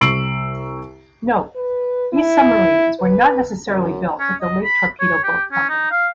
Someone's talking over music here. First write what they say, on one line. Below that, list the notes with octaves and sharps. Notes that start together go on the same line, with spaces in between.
Note - these submarines were not necessarily built at the Lake Torpedo Boat Company.
C2 C#6 E6 C7 D7 F#7
B4
E4
B4
F#2
C#4
D#5
B5
C#5
G4
C#4
D#4
F5